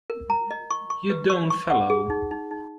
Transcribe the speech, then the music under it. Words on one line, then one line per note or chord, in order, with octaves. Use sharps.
You don't follow.
A#4
A#5
D#5
C#6
C#6
B4
C#6
C#6
F#5
G#4
D#4
D#4
D#4